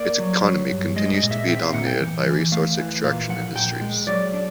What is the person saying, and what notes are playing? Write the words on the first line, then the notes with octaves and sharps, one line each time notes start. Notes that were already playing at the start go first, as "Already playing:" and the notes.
Its economy continues to be dominated by resource extraction industries.
Already playing: A#3 D5
F#3
F#3
G2
G#3 D#5
D#5
A#2
E5
C4 E5
F5
A#2 F#5
G5
E3
E3
A3 F5
E3
A#2 F5
F3 F#5
A#2 G5
G#3
F#3 D5
D4